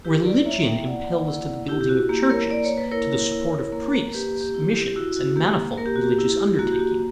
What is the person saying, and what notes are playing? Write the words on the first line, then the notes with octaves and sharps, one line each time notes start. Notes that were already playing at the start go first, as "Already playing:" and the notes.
Religion impels to the building of churches, to the support of priests, missions, and manifold religious undertakings.
E4 G4 B4
B4 D5
A#3 C#5 E5
E5 G5
A#3 D5 F#5
E4
E4 G4
G4
F#4
A#3 G4
A#4 C#5
A#3 D5
C#5
B4
E4 A#4 C#5
E4
A#3
A#3 G4 B4
G4
E4
G4
E4 F#4
F#4
A#3 G4
A#3 A#4
G4
F#4
G4
E4
A#3 F#4
G4
F#4